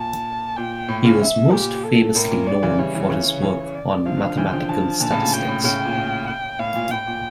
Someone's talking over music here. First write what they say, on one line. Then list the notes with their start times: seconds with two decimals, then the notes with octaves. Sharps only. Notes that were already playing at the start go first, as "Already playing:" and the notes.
He was most famously known for his work on mathematical statistics.
Already playing: A#2 A5
0.56 A#2 G5
0.88 A2
1.05 A2 C#3
1.21 E5
1.53 A#2 G4
1.83 A4
2.15 A2 A#4
2.31 A#2
2.47 D5
2.63 C#3 E3
2.79 E3 G3 C#5
2.94 E3 G3
3.10 C#3 E3
3.42 C#3 E3
3.75 D5
4.06 D3 F3 F5
4.16 D3 F3
4.37 C#3 E3 G5
4.53 D3 F3
4.69 D3 F3 A5
5.00 A#2 D3 A5
5.11 A2 C#3
5.22 A#2
5.33 A#2 G5
5.48 A2
5.64 A2 C#3 G5
5.86 A#2
5.97 A2
6.27 G5
6.59 A2 F5
6.75 A#2
6.91 A2 G5
7.07 A#2